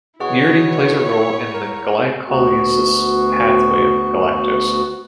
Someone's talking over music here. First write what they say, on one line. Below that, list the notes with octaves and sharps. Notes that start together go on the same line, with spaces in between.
Uridine plays a role in the glycolysis pathway of galactose.
B2 E4 G#4 C#5 F#5 C#6
A#4
D2 B3 F#4